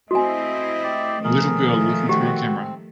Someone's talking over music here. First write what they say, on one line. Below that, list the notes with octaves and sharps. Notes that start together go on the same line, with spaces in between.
A little girl looking through a camera.
A3 C4 E4 F#4 D#5 G#5
G4 D5
D#3 F3 A3 G#4 A#4
C4 F#4 G4